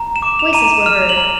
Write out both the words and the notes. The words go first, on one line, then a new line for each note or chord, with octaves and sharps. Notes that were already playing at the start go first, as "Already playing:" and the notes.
Voices were heard.
Already playing: A#5
E7
D6
F7
A#5 D#7
E7
F6 F7
F#7
A#5